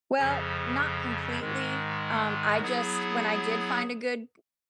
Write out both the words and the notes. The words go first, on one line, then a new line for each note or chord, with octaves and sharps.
Well, not completely, um, I just when I did find a good
F2 C#3 F3
G#2 D#3 G#3
F#3 B3 E4 G#4